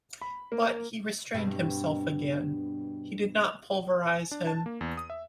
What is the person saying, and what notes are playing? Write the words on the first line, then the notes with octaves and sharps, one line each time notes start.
But he restrained himself again — he did not pulverise him.
B5
A#3
G2 B2 C4
D4
A5
A#3
E2
D#6
E5